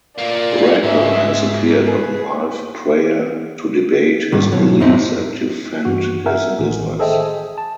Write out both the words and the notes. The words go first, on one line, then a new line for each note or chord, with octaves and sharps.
Redner has appeared on Live Prayer to debate his beliefs and defend his business.
A#3 F4 A#4 D5
G#2 E5
G#4 B4
G#2 D#3 G3
B2 F#3
F#2 A2 C4 D#4 E4
G2 E3 F#4
A#4 E5 F#5 G#5
A1 D#3
G#4 A4 C5 D#5 E5 G5
G#4
A5